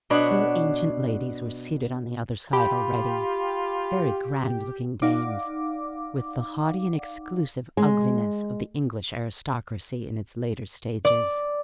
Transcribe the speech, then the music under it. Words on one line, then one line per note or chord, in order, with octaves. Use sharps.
Two ancient ladies were seated on the other side already--very grand-looking dames, with the haughty and exclusive ugliness of the English aristocracy in its later stages.
B2 D4 C#5 F#5 B5
F4 G4 B5
D#4 D5 F5 F#5 D6
G#3
D5